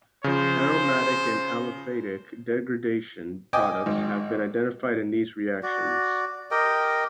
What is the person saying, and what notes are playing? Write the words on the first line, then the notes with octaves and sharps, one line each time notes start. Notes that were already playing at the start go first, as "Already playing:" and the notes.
Aromatic and aliphatic degradation products have been identified in these reactions.
C#3 F3 C5
D#5 G5 G#5 D6 D#6
G#1
F#4 D5
G4 A#4 D#5 G5